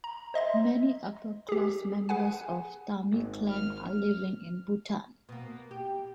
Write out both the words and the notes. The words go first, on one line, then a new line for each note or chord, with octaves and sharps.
Many upper class members of Thami clan are living in Bhutan.
A#5
C5 D#5 E5 C6
G4 G#4
G#4 B4 F#5 G#5
G#1
F6
B2 A#3
G4